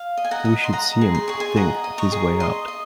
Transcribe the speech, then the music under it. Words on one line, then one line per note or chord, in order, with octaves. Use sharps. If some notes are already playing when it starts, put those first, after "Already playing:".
We should see him think his way out.
Already playing: F5
D#5
G#5
F#5 A#5
D#5
C6
D#5 F#5 A#5
G#4
C6
G#4 C#6
G#5 C6
D#5 F#5 A#5
D#5
A#5 C#6
G#4
D#5 C6 D#6
D#5